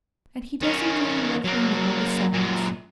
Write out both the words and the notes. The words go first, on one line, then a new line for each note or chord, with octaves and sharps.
"And he doesn't even love me now, besides."
D#3 C#4
F#3 A#3
F#2 A#2